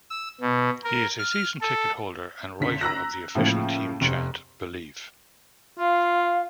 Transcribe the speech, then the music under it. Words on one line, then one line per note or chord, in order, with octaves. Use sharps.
He is a season ticket holder and writer of the official team chant 'Believe'.
E6
B2
A#4
F6
A4
F#1 D3 B6
A#5 E6 F#6 A#6
A2 C#3 F3 A#3
F1
F4 F5